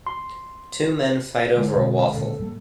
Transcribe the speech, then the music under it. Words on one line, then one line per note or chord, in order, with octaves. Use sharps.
Two men fight over a waffle.
C6
D3 G#3
B2
A#2 C#3 A4
A2 G3 A#3